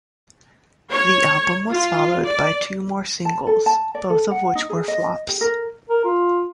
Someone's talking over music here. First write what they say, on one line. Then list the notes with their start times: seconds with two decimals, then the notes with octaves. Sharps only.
The album was followed by two more singles, both of which were flops.
0.91 C#5
1.71 F4
2.25 D5
3.25 A5
3.47 A4
3.66 A5
3.95 D5
4.10 A4
4.31 F#5
4.55 D#4
4.70 G#4
4.88 D#5
5.29 G4
5.41 A#4
5.89 A#4
6.05 F4